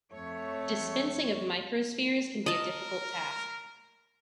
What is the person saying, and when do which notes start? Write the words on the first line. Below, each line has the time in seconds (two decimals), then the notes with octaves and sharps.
Dispensing of microspheres can be a difficult task.
0.13 F2 A3 C#5
2.46 A#4 D#5 A5